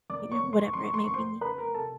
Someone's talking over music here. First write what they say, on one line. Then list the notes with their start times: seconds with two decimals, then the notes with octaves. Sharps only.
you know, whatever it may be.
0.10 F1 D5 D6
0.32 C#5 C#6
0.43 F1
0.53 C6
0.64 C#6
0.74 F1 C6
0.83 C#6
0.94 C6
1.04 F1 C#6
1.14 C5 C6
1.41 F#1 B4 B5
1.58 A#4 A#5
1.74 C3 A4 A5